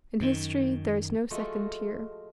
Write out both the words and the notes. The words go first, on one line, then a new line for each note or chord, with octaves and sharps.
In history there is no second tier.
F#2 D#3
F3 G#3 A3 F4 F#4 F#5